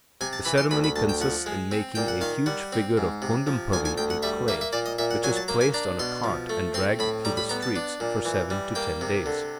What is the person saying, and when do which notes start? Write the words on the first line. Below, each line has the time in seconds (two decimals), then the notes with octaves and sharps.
The ceremony consists in making a huge figure of Kodumpavi in clay, which is placed on a cart, and dragged through the streets for seven to ten days.
0.21 C3 G#5
0.33 A5
0.45 E3 B5
0.58 C6
0.71 D2 B5
0.84 B5
0.96 D2 A5
1.09 G5
1.21 F3 F#5
1.46 G#3
1.72 C4
1.95 A#2 G5
2.08 F#5
2.21 D#3 F5
2.46 G3 F#5
2.73 C4
2.97 G#2
3.22 C3
3.47 F3
3.72 D2 G#5
3.85 G#5
3.98 D2 G5
4.10 F#5
4.23 G3 E5
4.48 A#3 E5
4.61 E5
4.73 A#2 D5
4.86 D#5
4.98 A#2 E5
5.11 F#5
5.23 F#3 G#5
5.36 A5
5.48 A#3 A#5
5.61 G#5
5.74 D4 A#5
5.99 B2 C6
6.24 F3
6.49 A3
6.74 C4 C6
6.99 A2 B5
7.25 G3 A#5
7.37 B5
7.49 B3 A#5
7.63 A5
7.76 D4
8.00 A#2
8.25 E3
8.50 G3
8.75 A#3 G5
9.01 C3
9.26 D3